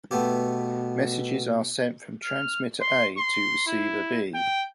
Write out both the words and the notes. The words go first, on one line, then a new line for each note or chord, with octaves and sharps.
Messages are sent from transmitter A to receiver B.
B2 A3 B3 G4
F6
C6
C6
E4
G5